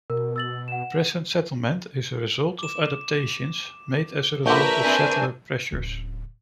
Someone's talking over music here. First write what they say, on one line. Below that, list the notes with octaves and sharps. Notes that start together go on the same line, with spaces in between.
Present settlement is a result of adaptations made as a result of settler pressures.
B2 A#4
E6 A6 F#7
F#5 E7
D6 E7
A#1 D3 A#4 B4 E5 A5 C#6 G6
C4 D4 G#5 G6
D1 C#3